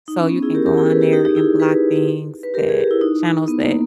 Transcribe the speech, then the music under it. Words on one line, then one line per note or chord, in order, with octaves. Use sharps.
so you can go on there and block things that channels that
D#4
C#4
B3
E4 G#4
G4 A#4
G4 A#4
E4 G#4
G#4 B4
G4 A#4
D#4 G4
G#4
D#4 G4
E4 G#4
G#4 B4
B4
G4 A#4
G#4
G4
E4
D#4
B3
A#3